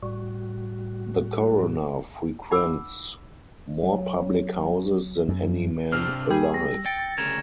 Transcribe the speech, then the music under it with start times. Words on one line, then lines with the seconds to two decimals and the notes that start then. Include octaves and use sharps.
The coroner frequents more public-houses than any man alive.
0.03 A2 G3 F#4
2.51 D#4 F#5 B5 D6 E6
3.83 F#3
5.28 F#2
5.92 C3 D4 C5 E6 F6
6.31 G3 G#4
6.54 A#6
6.86 G5 A6 C#7
7.18 D2 C#3 A#4 G#6 E7